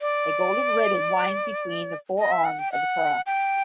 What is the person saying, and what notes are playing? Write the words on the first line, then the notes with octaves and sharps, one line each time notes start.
A golden ribbon winds between the four arms of the cross.
D5
D#5
E5
F#5
G5
F#5
G5